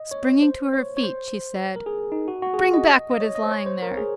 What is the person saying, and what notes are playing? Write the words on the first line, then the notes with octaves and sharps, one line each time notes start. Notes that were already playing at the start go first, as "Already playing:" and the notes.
Springing to her feet, she said: "Bring back what is lying there."
Already playing: D#5
C#5
C5
C#5
C#5
C5
A#4
G#4
D#4
F#4
F#4
G#4
F#4
D#5
D#5
C#5
D#5
C5
C#5
C5
A#4
G#4